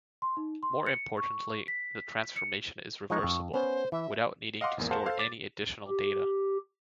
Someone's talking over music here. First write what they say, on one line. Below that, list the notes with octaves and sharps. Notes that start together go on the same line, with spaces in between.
More importantly, the transformation is reversible, without needing to store any additional data.
C6
D#4
C6
C#7
C#6
B6
C#7
F3 G#3 D#4 C#6
F2
B3 C#4 C5
E3 E5
D#5 F5 F#5 C6 D6
G#1 E2 A#3
G#4 A#4 C5 F5 F#5 A5
A4 C5 F5
D6 A6
G4